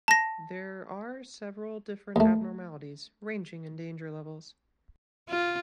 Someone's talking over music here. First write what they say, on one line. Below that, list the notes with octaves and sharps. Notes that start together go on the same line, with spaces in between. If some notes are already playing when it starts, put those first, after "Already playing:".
There are several different abnormalities ranging in danger levels.
A5 A#6
D#2 A3
F4